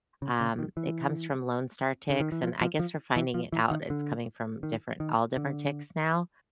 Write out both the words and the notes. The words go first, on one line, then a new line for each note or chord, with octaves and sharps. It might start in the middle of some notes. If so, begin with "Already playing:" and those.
um, it comes from lone star ticks, and I guess we're finding it out it's coming from different all different ticks now.
C#3
C#3
D#3
E3
D3
D#3
E3
F3
F3
F3
E3
F3
E3
D#3
D3
D#3
D#3
D3